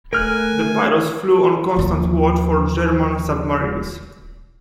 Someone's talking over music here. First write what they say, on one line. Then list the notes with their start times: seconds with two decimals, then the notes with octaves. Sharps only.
The pilots flew on constant watch for German submarines.
0.13 A3 A#4 G#5 F6 F#6
1.76 D#2 F3